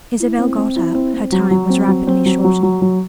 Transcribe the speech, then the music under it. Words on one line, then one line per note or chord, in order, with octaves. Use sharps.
Isabel got up; her time was rapidly shortening.
E4
C4
C4
E4
C4
C4
F#3
F#3
C4
F#3
C4
F#3
F#3
F#3
F#3